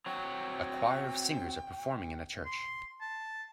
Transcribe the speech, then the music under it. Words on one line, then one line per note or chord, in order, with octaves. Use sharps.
A choir of singers are performing in a church.
C4 F#4 C#5 G5
C6
A5